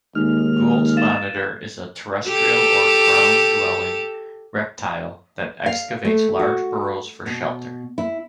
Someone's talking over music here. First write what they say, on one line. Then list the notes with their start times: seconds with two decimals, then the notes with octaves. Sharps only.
Gould's monitor is a terrestrial or "ground-dwelling" reptile that excavates large burrows for shelter.
0.15 D#2 G#3 D#4 F6
0.97 F5 A6 E7
2.27 G4 A4
5.66 F5
6.05 A3
6.39 F#4
7.26 B2
7.98 E4